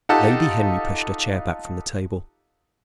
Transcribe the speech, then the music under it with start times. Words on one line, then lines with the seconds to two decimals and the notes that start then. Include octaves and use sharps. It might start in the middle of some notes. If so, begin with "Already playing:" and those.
Lady Henry pushed her chair back from the table.
0.09 D#4 F4 G4 A4 F#5 A5